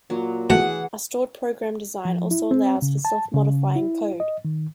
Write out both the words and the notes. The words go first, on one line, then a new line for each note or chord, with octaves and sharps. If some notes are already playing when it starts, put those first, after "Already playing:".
A stored-program design also allows for self-modifying code.
A#2 F#3
B2 E3 A3 G#4 F#5
F3
E4
C4
C#3
A5
C#3
E4
D#5
D#3